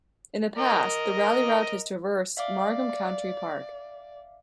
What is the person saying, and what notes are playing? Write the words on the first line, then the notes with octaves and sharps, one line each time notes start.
In the past, the rally route has traversed Margam Country Park.
A#4 D#5
D5 E5 F5 D6